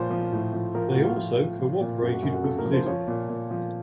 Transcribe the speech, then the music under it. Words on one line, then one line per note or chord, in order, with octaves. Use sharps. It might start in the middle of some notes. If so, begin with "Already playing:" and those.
They also cooperated with Lidl.
Already playing: A#2 F3 C5 C#5
F3
A2
F3
F3 A#4
F#4
A2
F4
F3
F3
F3
A#2
F#2 F#4
F#4
F#2 F#4
F#4
C#3 A4
A#4
F3
C5
F3 C#5
A#2
A#2
F3